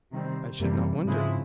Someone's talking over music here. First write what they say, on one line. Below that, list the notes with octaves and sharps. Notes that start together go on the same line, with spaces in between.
I should not wonder.
C3 D#3 G3 C4
F#2 C3 E3 G3 A#3
G#2 C#3 F3 G#3 C4 E4